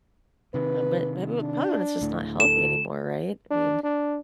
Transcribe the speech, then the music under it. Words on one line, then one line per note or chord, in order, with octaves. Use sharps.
Um, but but w probably when it's just not healthy anymore, right? I mean
C3 D#3 B4
D4
D2 A2
A4 E7
D4
D4